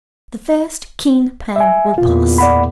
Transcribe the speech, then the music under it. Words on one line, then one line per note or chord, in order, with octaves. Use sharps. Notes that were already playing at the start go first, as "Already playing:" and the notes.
The first keen pang will pass.
E5 G#5
E2 A#2 F4
D5 F#5 B5